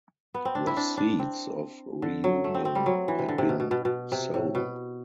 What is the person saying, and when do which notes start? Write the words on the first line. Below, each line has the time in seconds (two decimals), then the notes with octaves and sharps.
The seeds of reunion had been sown.
0.34 B3
0.45 C4
0.55 D4
0.67 E4
0.77 D4
0.97 D4
1.19 C4
2.02 D3
2.24 F#3
2.44 A3
2.54 C4
2.65 C4
2.75 G3
2.86 F#3
3.08 E3
3.19 C3
3.29 D3
3.38 C3
3.49 B2
3.60 B2
3.71 B2
3.85 B2
4.12 C3
4.34 A2
4.55 B2